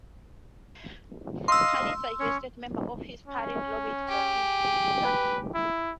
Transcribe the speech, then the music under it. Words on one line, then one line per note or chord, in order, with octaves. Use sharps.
Khalid suggested members of his party lobbied for his dismissal.
D#5 F5 C6 E6
C#4 C#5
C#4
G4 G#4
B4
E4